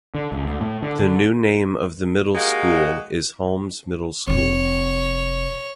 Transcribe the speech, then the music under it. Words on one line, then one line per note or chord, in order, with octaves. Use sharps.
The new name of the middle school is Holmes Middle School.
D3
C#2
D2
A2
D3
D3
G#3 A#3 D#4 F#4 G4
F1 C3 C#5